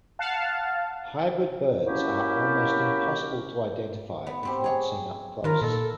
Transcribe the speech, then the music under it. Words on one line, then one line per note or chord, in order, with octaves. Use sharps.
Hybrid birds are almost impossible to identify if not seen up close.
F5 F#5 A5
F#3 A#3 C#4 E4 F#4 G4
B3
B3 C4 G4
G#4 C#5
D#3 F4 A#4 B4
A#2 A4